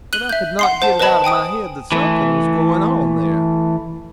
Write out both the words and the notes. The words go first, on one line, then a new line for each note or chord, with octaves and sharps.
But I could not get it out of my head that something was going on there.
F#6 D#7 F#7 G7
E5 G6
F#5 C6 C7
C5 F#5 A5
B4 C5 D#5 A5 B5
G5 G#5 D#6 D7
E3 A3